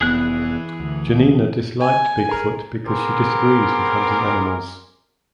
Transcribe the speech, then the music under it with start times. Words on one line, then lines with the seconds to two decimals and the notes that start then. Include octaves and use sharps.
Janina disliked Big Foot because she disagrees with hunting animals.
0.01 F1 E3 B3 G#4 F#6
0.80 D2
1.81 G#5
2.29 G#4 A#4
2.86 B3 C4 G#4 A#4 C6 D6